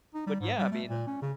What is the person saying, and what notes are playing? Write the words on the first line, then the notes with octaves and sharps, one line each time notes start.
But, yeah, I mean,
D#4
G3
G#2
G3
A3
A#2
C#4
C#3